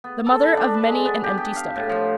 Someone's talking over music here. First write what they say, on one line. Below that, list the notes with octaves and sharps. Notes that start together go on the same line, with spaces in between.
The mother of many an empty stomach.
B3
A4
B5
D4
B4
G#3
B3
G4
G4
F5
A2
F3